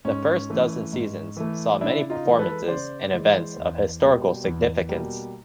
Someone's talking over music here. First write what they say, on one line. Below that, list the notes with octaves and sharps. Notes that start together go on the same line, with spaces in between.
The first dozen seasons saw many performances and events of historical significance.
G#2 C#4
E3 A3
G#2
E3 A3
C#3 D4 E4
D#4 F4
E3 G#3
A4 B4
C#3 C5 D5
E3 G#3
E2
B2 G3 A#3
E2
B2 G3 A#3